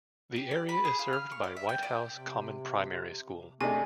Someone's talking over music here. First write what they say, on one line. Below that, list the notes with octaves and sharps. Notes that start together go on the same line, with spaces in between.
The area is served by Whitehouse Common Primary School.
G4
D5
B5
G#4
F4
F6
C#6
D5
E5
G5
D5
C3
C3 A3 D4 G#4 A4 D#5 G#5